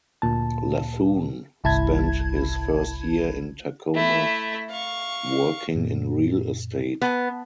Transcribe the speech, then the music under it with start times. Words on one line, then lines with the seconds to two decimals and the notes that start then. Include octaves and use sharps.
Laffoon spent his first year in Tacoma working in real estate.
0.22 D2 A#2 A5
1.64 G1 C2 E4 A5 B5 G#6
3.95 A3 E4
4.70 F5 C#6
5.75 F#2 A#2
7.01 B3 A5 B5